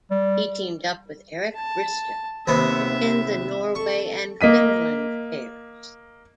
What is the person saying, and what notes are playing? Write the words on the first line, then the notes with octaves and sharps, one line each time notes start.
He teamed up with Eric Bristow to win the Norway and Finland pairs.
G3
A5
D#2 C3 B3 C4 E5
A4 C#6
A#3 D#5 B6 D#7